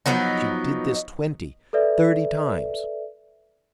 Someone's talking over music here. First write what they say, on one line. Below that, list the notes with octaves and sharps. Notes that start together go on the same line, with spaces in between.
She did this, twenty, thirty times.
F3 F#3 B3 D#4
A4 B4 D5 E5